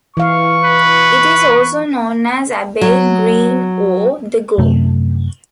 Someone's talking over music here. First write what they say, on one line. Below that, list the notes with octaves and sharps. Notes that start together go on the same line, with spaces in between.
It is also known as Abbey Green or the Gow.
E3 F5 C#6
B4
F#3
F#2 C3 A3